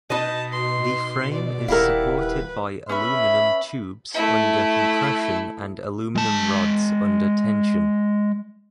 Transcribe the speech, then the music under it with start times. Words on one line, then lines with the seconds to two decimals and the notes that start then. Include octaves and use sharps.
The frame is supported by aluminum tubes under compression and aluminum rods under tension.
0.10 B2 D#4 B4 D#5 A5
0.53 C6
1.34 D5
1.68 D#1 E4 G4 A#4 F5 F#5
2.19 B4
2.89 C#4 B4 E5 B5
4.15 A3 E4
6.16 G#3 A5